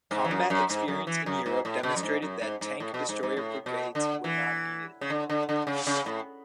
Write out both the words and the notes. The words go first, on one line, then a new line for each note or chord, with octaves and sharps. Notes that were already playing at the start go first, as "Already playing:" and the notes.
Combat experience in Europe demonstrated that tank destroyer brigades were not needed.
G#2
E3
F#2
F#2
G#2
F#2
E3
F#2
G#2
A2
B2
F#2
G#2
F#2
G#2
G#2
A2
B2
G#2
G#2
A2
B2
D3
E3
C#3
D3
D3
D3
C#3
C#3
A2